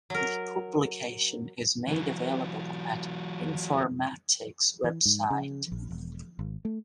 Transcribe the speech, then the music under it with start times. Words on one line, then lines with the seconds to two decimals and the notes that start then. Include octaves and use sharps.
The publication is made available at Informatics Website.
0.10 F#3 A#4
1.87 E3 F#3
4.84 E3
5.06 G#2
5.30 C#3
5.72 A#1
5.91 E1
6.39 G#1
6.65 A3